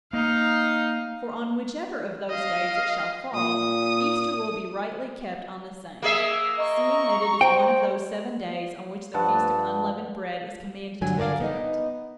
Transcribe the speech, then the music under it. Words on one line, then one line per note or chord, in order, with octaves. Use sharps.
For on whichever of those days it shall fall, Easter will be rightly kept on the same; seeing that it is one of those seven days on which the feast of unleavened bread is commanded to be kept.
A#3 D#4 F5
D#5 F5
A#2 D#6
A#3 G#4 E5
D#5 A#5 C#6
C5 G5
G2 F3 F#5 A5
G2 D3 F#3 G#5
D3 A#4 C#5 D5 F5
B3 D#4 D#5